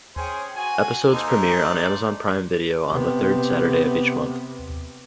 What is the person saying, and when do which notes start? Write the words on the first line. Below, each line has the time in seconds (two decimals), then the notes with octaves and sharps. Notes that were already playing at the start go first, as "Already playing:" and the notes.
Episodes premiere on Amazon Prime Video on the third Saturday of each month.
0.17 C#4 G#4 C5 G5 G#5
0.56 F#4 G#5
1.13 A#3 D#4 A4 C5
1.60 G#3 A3 D5
2.91 C3 B3